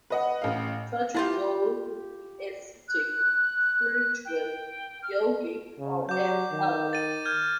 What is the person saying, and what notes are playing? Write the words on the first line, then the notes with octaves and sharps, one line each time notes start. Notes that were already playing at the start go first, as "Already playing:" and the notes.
Such a goal could be ascetic, spiritual, yogic or any other.
B4 D#5 F#5
A1 F5
D4 E4 F4 G4
F#6
G5
F6
C#3
F#3 D6 G6
D#3
A6 D#7
F6 G6 G#6